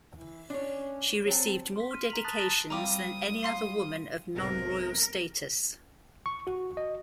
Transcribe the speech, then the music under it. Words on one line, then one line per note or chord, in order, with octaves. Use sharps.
She received more dedications than any other woman of non-royal status.
E3
C#4 D4 C#5
F#3 C4 A4 G5
C6 B6
F6 D#7
A#5 B6 F7 F#7
A5 D#6 F#6 A6 B6
A6 A#6 D7
G3 C4 F4 A#5 D6 D#6
F5 C6 C7
B1 G#2 C3 A#4
C#6
F#4
D#5